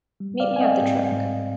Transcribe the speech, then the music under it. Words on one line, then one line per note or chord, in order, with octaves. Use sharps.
Meet me at the truck.
G3
D5 F5
C4
G#5
D#5 G5
G#2
G#2